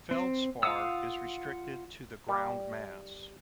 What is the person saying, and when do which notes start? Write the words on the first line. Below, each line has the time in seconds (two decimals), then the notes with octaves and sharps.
Feldspar is restricted to the ground mass.
0.11 C4
0.63 F4 F5 F#5 D#6 E6
2.29 G3